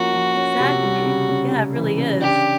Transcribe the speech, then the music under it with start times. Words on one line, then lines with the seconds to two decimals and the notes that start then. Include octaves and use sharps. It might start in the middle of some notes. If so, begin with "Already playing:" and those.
Exactly. Yeah, it really is.
Already playing: F3 A#3 C#4 F#4
0.14 F3
0.37 C#4
0.60 C3
0.83 G3
1.06 C#3
1.29 C#3
1.51 C#3
1.75 E3
1.98 C#3
2.21 D4 G4